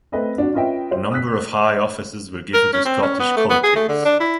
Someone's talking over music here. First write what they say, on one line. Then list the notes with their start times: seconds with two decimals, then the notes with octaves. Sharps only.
A number of high offices were given to Scottish courtiers.
0.12 A3 C4 A4 B4 D#5 E5
0.38 D4 F#4
0.53 C#4 F4 B4 D#5 E5 G5
0.91 C5
1.12 D#6 E6 F#6 B6
2.54 A#4
2.73 C#4
2.85 C4
3.02 C#4
3.20 B3
3.37 A3
3.50 B3
3.63 G#4
3.76 A3
3.89 D3
4.05 D4
4.20 E4